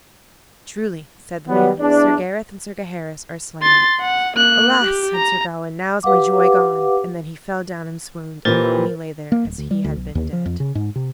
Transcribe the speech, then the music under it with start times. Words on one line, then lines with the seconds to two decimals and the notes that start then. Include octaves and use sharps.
"Truly," said the man, "Sir Gareth and Sir Gaheris are slain." "Alas!" said Sir Gawain, "now is my joy gone." And then he fell down and swooned, and long he lay there as he had been dead.
1.49 F#3 G3 B3
1.80 E2 D4
3.62 C6 A6
4.01 F#5
4.37 A#3 F#6
4.84 G4
5.15 A#5
6.03 G4 B4 F5 F#5 D6
8.45 A#2 E3 G4 A#4 C5 A6
9.32 A#3
9.45 D1
9.58 D2
9.71 G3
9.84 D2
9.96 B1
10.15 D#2
10.33 F3
10.46 F2
10.60 C#3
10.75 G#2
10.96 C3